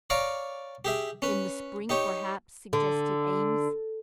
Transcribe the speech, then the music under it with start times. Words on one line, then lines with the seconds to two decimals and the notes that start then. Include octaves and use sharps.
"In the spring, perhaps," suggested Eames.
0.10 C#5 D5 F5 A#5 D6
0.85 G4 G#4 E5
1.22 C#4 B4
1.89 D#4 G4 C#5
2.73 D3